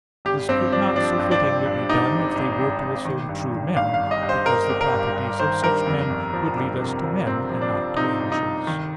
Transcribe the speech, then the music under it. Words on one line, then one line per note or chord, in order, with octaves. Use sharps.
This could not so fittingly be done if they were to assume true men; because the properties of such men would lead us to men, and not to angels.
G#1 G4
G2 C4
F3 D4
F3 D4
G2
D4
G#1
G2
G#1 D#4
G#1
G#1
G#1
G#1
D#3
G2
D#3
G1 F5
F5
G2
D#5
G2
C5
G1 A#4
G1
A#4
G2
G2
D#3 C5
G2 A#4
F2
G1
F3
G1
C3
F3
G1 C4
F3
D4
F3
C3 D#4
G1
D#4
C3
D#3